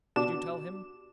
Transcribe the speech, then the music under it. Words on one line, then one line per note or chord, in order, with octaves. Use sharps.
Did you tell him?
B2 D4 F#4 G4 D6 E7